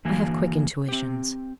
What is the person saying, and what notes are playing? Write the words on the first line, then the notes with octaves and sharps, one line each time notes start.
I have quick intuitions.
D3 E3 A#3 F#4 G#5
C4 G4